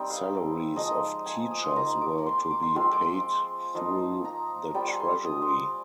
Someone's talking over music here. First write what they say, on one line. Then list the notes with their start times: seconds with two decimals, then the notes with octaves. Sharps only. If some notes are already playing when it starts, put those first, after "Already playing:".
Salaries of teachers were to be paid through the treasury.
Already playing: G3 C4 D#4 G5
0.10 F5
0.76 F3 G#3 D#4 D#5
1.26 G#5
1.51 D#6
1.64 C6
1.76 A#3 D#4 A#5
2.01 D6
2.26 C6
2.39 D6
2.51 D6
2.62 C6
2.75 F3 G#3 C4 F4 C6
2.92 D6
3.08 C6
3.75 F3 A#3 D#4
4.25 A#5
4.74 G3 C4 F4 G5
4.87 G#5
5.00 C6
5.11 D6
5.24 D#6
5.42 C6
5.48 D6